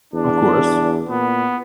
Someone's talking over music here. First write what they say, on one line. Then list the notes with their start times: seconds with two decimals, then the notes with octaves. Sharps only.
Of course.
0.14 E2 D4
1.09 A#2 B3